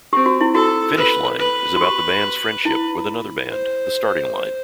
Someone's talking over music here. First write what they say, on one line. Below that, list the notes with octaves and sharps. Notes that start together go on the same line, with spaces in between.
"Finish Line" is about the band's friendship with another band, The Starting Line.
C4 G4
F#4
E4
F#4 A4
B4
B4
F#4
G4
E4
C5